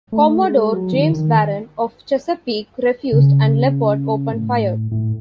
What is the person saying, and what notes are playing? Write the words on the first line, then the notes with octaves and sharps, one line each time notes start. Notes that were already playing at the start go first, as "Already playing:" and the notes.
Commodore James Barron of "Chesapeake" refused and "Leopard" opened fire.
A3
G#3
F#3
D#3
D#3
C#3
A2
A2